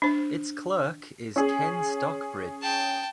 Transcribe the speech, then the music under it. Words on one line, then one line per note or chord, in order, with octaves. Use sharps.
Its Clerk is Ken Stockbridge.
D4 C5
C#4 G#4
G5 A5